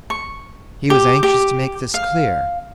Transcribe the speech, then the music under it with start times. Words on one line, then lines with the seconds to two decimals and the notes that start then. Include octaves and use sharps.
He was anxious to make this clear.
0.10 C#6
0.90 G4
1.23 G4
1.94 F5